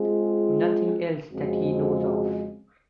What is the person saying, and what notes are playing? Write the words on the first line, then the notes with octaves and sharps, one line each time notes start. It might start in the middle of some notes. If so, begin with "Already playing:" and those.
Nothing else that he knows of.
Already playing: G#3 C4 F4 G#4
F2 C#3 G#3 C4 F#4